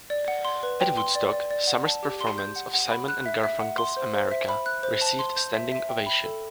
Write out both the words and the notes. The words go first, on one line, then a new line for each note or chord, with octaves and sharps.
At Woodstock, Sommer's performance of Simon and Garfunkel's "America" received a standing ovation.
D5
F#5
C6
B4
G5
C6
D5
D5
D5
F#5
A5
G4
C6
G6
F#5
F#5
B5
F#6
E5
E5
F#5
C6
C5
C5
E5
B5
F#6
C5
A5
C6
G6
E5
E5
G5
B5
A4